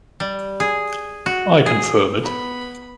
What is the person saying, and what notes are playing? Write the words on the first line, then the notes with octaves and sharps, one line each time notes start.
I confirm it.
G3
G#4
F#4
G#4
B3 B5